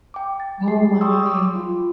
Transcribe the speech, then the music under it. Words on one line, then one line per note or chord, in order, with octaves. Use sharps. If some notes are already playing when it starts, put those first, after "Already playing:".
Oh my.
G5 D6
A6
G4 G#4 C7
G5 C6 C#6 D#6 E6
D6
F4